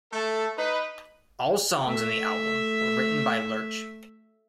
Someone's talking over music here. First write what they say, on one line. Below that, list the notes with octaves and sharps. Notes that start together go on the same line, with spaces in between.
All songs on the album were written by Lerche.
A3 A4
D#4 B4
A3 E5